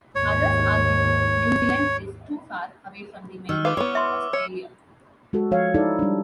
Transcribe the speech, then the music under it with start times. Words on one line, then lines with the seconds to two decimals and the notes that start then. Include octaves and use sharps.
Others argue New Zealand is too far away from the mainland of Australia.
0.15 D#2 G#2 C#5
3.49 D#3 E6 F6
3.65 F4 B4 F5 D6
3.77 B3 E4 C#5
3.95 E5 C6
4.33 C#5 E6 C#7
5.33 G#3 F#4 A4
5.51 F3 C#5 F5
5.74 D#4 E4 A4 D5
5.99 G3 D4